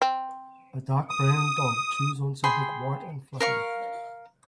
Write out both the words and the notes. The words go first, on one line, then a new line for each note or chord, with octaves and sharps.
A dark brown dog chews on something white and fluffy.
C4
D#6
G#4 G5 B5 C6
A#4 F5 C#6